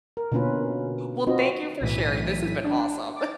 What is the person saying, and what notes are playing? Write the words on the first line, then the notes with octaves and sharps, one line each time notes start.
Well, thank you for sharing, this has been awesome.
A#4
B2 D3 A#3 C#4 F4 B4
C4 D#4 F4 F#4 D#5
B1 A2 E3 B6 D#7
D4
D6 A6